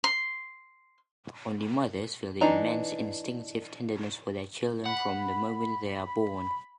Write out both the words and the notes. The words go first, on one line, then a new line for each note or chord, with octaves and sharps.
Only mothers feel the immense, instinctive tenderness for their children from the moment they are born.
C6
E3 D4 D#4 A#5
F#5 B5